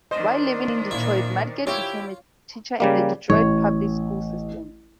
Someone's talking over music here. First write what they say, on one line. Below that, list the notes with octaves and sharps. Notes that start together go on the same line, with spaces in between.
While living in Detroit, Madgett became a teacher in the Detroit public school system.
D#3 D4 C5 D#5
A#2 E4
E4 F4 G4 C#5
C#3 G3 A#3
A1 C#5